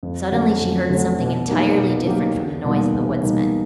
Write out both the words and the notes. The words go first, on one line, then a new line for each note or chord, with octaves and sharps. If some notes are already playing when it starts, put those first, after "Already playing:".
Suddenly she heard something entirely different from the noise of the woodsmen.
F2
D3 F#3 A3 C#4
F2
D3 F#3 A3 C#4
B2
F#3 A#3 D#4 G4
B2
F#3 A#3 D#4 G4
E2
B2 G3 A#3 D#4
E2
B2 G3 A#3 D#4